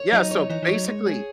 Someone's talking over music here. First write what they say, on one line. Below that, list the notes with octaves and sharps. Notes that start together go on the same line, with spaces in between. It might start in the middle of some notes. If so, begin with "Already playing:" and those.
Yeah, so basically
Already playing: C#5
F#3 D#4
C#5
E3 D#4
E3
C#5
F#3
G#3 C#5
G#4